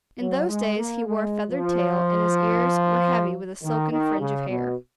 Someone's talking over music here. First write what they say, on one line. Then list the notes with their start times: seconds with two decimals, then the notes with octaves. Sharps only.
In those days he wore a feathered tail, and his ears were heavy with a silken fringe of hair.
0.21 F#3
0.49 G#3
0.77 A#3
1.06 G#3
1.49 F3
3.63 D#3
3.91 D#3
4.20 C#3
4.48 B2